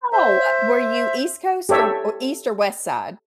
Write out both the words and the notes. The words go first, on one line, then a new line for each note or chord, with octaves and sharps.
Oh, uh, were you East Coast or East or West Side?
C5 E5
G4 A4 C#5 E5